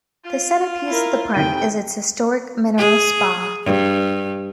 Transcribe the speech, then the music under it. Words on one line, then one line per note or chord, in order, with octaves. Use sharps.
The centerpiece of the Park is its historic mineral spa.
F4
E4 A#4
F1 D#3 G5 D#7
G#4
G2